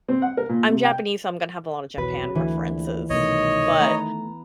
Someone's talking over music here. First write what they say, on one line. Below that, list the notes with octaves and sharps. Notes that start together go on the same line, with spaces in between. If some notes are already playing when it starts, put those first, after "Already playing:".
I'm Japanese, so I'm gonna have a lot of Japan references, but,
C4
F#5
A#4
A#2
C3
G5
B1 E2 F#3 B4
D2 D3 E3
A#1
C2 B2 D#3 A3 C#5 D#5
A3 B3 A#5